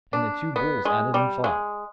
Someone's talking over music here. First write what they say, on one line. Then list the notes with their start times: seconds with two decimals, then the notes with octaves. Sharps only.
And the two bulls at it and fought.
0.13 D4
0.56 B3
0.85 G#3
1.14 G3
1.44 G#3